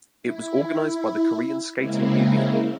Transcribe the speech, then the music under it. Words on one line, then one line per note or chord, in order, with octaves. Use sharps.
It was organized by the Korean Skating Union.
E4
C#3 G#3 A#3 C4 E4